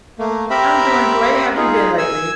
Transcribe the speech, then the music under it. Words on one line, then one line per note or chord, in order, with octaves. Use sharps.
I'm doing great. How've you been lately?
A3 A#3
C4 G4 A#4 E5 B5
D#4 F4 G#4
G#5 E6